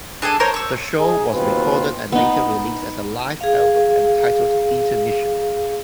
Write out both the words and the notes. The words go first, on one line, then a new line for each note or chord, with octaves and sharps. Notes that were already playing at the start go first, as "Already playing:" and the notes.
The show was recorded and later released as a live album, entitled "Intermission".
D4 G#4 A4 G#5
A#4 C5 C#5
C#6 E6
D#4 G#4
D#2 B2 C4 F4 B4
B3 D#4
G#4 F5